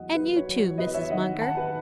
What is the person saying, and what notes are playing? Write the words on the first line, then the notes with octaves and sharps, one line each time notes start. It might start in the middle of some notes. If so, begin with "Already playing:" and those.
And you too, Mrs. Munger.
Already playing: E2 F#3 D#5 F#5
F#3 B4
C#5
F#3
C#5
E2 B4 D#5
C#5 E5
D#3 D#5 F#5
D#3 F#5 A5
B4